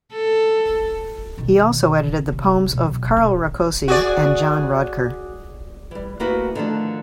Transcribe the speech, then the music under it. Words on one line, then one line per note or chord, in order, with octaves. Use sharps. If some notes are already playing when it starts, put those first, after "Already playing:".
He also edited the poems of Carl Rakosi and John Rodker.
A4
B2 D#3
C3
B2 F#3
D3
F#4 G#4 D5
E3 G3
D2 A#3 E4 F#4 G4 B4
D3 D#3 F3 A3 D4